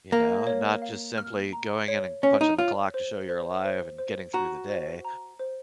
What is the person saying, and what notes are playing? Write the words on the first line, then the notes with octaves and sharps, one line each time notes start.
You know? Not just simply going in and punching the clock to show you're alive and getting through the day.
A#3 F5
C#5
F5
F6
A#5
C#5
C#4 C#5
D#4
F4 C#5
C5
C5
C5
C5
F#4 A#5
C5
A#5
C5